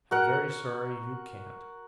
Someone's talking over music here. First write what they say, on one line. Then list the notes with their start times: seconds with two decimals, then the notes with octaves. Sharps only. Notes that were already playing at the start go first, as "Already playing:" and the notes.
"I am very sorry you can't."
0.11 F#4 A#4 F#5